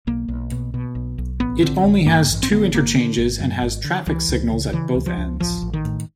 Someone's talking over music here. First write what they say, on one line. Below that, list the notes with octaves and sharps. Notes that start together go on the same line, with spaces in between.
It only has two interchanges and has traffic signals at both ends.
B1 A#3
B1
B2
B2
B1
B1
A1 B3
D3 C4
A1
G2 A#3
A1
C4
D3 B3
G#1 A#3
D3
G#1
F#2
G#1
D3
C#2 E3
C#2
C#3
C#3 E3
C#2
F3
C#2
A1 F3
A1
D#3
A2